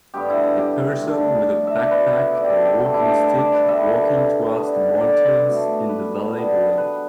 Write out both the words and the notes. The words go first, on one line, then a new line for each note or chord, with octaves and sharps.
A person with a backpack and walking stick, walking towards the mountains in the valley below.
G2 D3 B3 G4
E4
E4
G4
D3 A3
E5
D5
B2 B3 B4
E5
D5
G4
A4
G4
G2 D3 A3 D4
E4
G4
A4
D5
B4
D3 G3 B3 E5
D3 B3
D5
B2 A3
B4
D3 G3 B3
B4